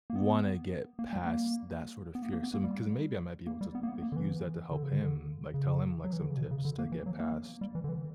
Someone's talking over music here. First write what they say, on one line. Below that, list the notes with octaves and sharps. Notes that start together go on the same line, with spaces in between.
wanna get past that sort of fear? Some 'cause maybe I might be able to, like, use that to help him, like, tell him, like, some tips to get past,
A#3
B3
A#3
G3
A#3
B3
A#3
A#3
B3
A#3
G3
A#3
G3
B3
A#3
B3
A#3
D3
E3
D3
C#3
D3
C#3
F#3
E3
D3
C#3
B2
C#3
D3
A#3
E3
F#3
A#3
G3
E3
D3
E3